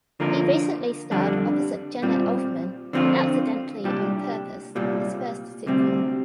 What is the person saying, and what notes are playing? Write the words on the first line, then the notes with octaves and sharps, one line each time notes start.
He recently starred opposite Jenna Elfman in "Accidentally on Purpose", his first sitcom.
D3 F3 A#3 F4 A#4
F2 D3 G3 D4
A#2 G3 C4 F4
D3 F3 C4 F4
C2 A#2 G3 D4 G4
C2 A#2 G3
D2 C3 G3 C4